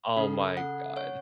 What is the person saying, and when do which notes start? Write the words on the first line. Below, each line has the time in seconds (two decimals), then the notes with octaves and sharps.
Oh my god.
0.17 C#3 A4
0.57 F#5
0.96 C#5